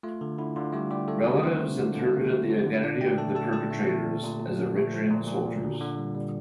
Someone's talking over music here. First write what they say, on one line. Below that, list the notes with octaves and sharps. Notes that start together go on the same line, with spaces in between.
Relatives interpreted the identity of the perpetrators as Eritrean soldiers.
A3 F4
D3
D3 E4
D3 F4
G3 A3 G4
D3 G3 G4
A3 A4
A3 A#3 A#4
D3 C4 C5
A3
D3
D3
A3
A3
D3
D3
E5
A#2 D4 D5
A3 G4 G5
A3 A4 A5
A3 A4 A5
A#2 A4 A5
A3
A3
A#2
A#2
A#2
F3
A3
F3
A#2
A#2
A#2
D3
D3
G3
G3